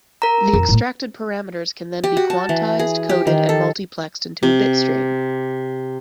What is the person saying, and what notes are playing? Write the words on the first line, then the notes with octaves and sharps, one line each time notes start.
The extracted parameters can then be quantized, coded and multiplexed into a bitstream.
A#4 A#5
F2
A2 A#3
G4
F#4
A5
E3
G#4
G4
D#3
A4
C3